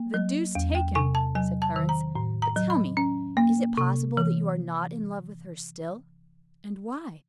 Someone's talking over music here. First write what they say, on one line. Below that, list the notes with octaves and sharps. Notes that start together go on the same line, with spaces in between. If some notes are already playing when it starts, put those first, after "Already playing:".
"The deuce take him!" said Clarence: "but tell me, is it possible that you are not in love with her still?--and why?"
Already playing: A#3
F#3
E2
G5
C3 G#5
A5
F#3 G#5
A5
D#3
A#5
A2
A#5
F#3
B5
C#4
A#3
C3
E3